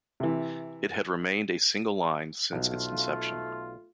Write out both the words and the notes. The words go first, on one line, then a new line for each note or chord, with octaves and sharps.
It had remained a single line since its inception.
C3 E3
B1 A3 F4